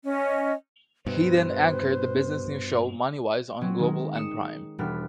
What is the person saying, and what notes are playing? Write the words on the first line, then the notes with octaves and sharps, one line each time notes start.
He then anchored the business news show "MoneyWise" on Global and Prime.
C#4 D#5
G2 B2 B4 C5
F#3 C4 C#4
D#3 G#3
D#6 C#7 E7
E1 G3 B3 D4 F6 B6